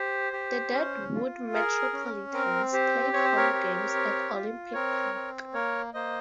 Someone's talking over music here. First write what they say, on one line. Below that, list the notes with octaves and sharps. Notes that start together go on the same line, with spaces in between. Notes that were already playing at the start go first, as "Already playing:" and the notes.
The Deadwood Metropolitans played home games at Olympic Park.
Already playing: G4 C5
G4
C#4
F4
G#4 A#4
C#4
C4 A#4
G4 C5
C4 C#5
C5
A#4 C#5
G4
C4
F4
C4 A#4 C#5
C4
A#3 A#4 C#5
A#3 C5 D#5